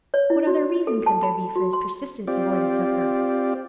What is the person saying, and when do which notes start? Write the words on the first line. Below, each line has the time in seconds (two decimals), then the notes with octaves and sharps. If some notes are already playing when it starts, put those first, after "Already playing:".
What other reason could there be for his persistent avoidance of her?
0.14 C#5
0.30 E4
0.47 F#4
0.87 A4
1.06 A5
1.23 B5
1.56 F#4
1.73 C6
2.27 C4 F4 G4 D5